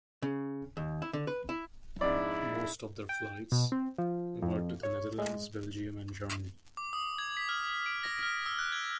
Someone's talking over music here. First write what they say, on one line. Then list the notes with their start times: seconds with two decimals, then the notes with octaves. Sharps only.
Most of their flights were to the Netherlands, Belgium and Germany.
0.22 C#3
0.77 D#2
1.02 E4
1.13 D3
1.27 B4
1.49 E4
2.01 F2 G#2 D4 E4 D5
3.09 G5
3.52 B2
3.72 C4
3.98 F3
4.42 F2
4.83 C#5
5.19 G#3
6.77 D6
6.93 D#6
7.18 G#6
7.37 B6
7.49 F6
7.86 D7
8.03 A#6
8.23 F6
8.46 E6
8.59 F#6
8.72 G#6